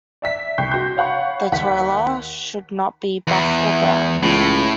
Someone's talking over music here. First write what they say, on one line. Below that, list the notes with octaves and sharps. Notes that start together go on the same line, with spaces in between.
The Toller should not be buff or brown.
D5 E5 B6
C2 G5 C#6 G6 C7
F#4 C6 G6
C#5 F5 F#5 B5 C#6
D#2 F#5 B6
E2
C#2 A2